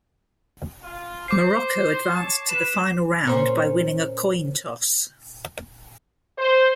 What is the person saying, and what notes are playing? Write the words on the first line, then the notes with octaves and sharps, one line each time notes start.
Morocco advanced to the Final Round, by winning a coin toss.
F4
C5 D6 C7
C#5 A5
B4 E7
A#2 C#4 C5
C5